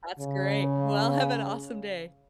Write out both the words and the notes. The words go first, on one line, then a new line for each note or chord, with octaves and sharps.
That's great. Well, have an awesome day.
C#3